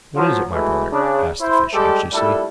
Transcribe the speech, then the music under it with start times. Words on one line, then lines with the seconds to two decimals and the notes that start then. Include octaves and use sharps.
'What is it, my brother?' asked the fish anxiously.
0.16 F3 F#3
0.51 B2 E3 G#3 A3
0.92 C#3 D4
1.41 E4 C5
1.74 G3 G#3 G4 A4
2.13 A#2 G3 A3 D4 E4 A4